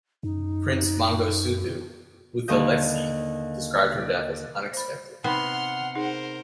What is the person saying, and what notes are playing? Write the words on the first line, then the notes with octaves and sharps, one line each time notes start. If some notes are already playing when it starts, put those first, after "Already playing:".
Prince Mangosuthu Buthelezi described her death as "unexpected".
F#2 D#4
D#2 D3 D#5 G6
C5 B5
C3 B3 D#4 F#5 G5 B5 C6 F6
D#4 G#4 A#4 C5